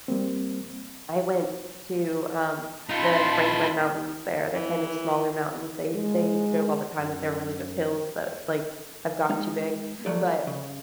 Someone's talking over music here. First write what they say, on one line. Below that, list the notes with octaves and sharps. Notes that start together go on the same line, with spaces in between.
I went t to, um, the Franklin Mountains there, they're, kind of, smaller mountains, they they joke all the time that they're really just hills that, like, have gotten too big, but,
G3 A#3 C4
D#4 F4 A5 B5 C6
E3
G#3
F#2
G#3 D#4
F3 F#3 A3 D5
C#3